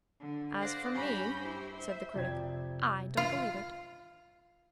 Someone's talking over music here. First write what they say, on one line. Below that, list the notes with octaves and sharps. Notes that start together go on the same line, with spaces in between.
"As for me," said the Critic, "I don't believe it."
D3
C5 D5 F5 F#5 D6 A#6
G2 C#4 G4 B5 G6 A#6
E4 G4 C5
C5 E5
F2 C3 D5 G5 G#6
F4